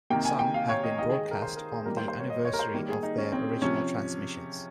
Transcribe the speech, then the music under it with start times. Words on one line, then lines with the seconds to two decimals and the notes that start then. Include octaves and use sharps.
Some have been broadcast on the anniversary of their original transmissions.
0.10 C3 D#3 A#3 G5
0.25 G#5
0.39 G5
0.54 F5
0.69 C#5
0.83 D#5
0.98 D#3 G#3 D#5
1.09 G#4
1.31 A#4
1.42 C5
1.56 A#4
1.71 G#4
1.86 D#3 G3 A#3 A#4
1.97 C5
2.08 C5
2.19 C#5
2.30 D#5
2.45 C#5
2.53 A#4
2.59 C5
2.74 D#3 G3 A#3
2.89 G#4
3.03 D#4
3.18 C#4
3.32 C4
3.62 C3 F3 C#4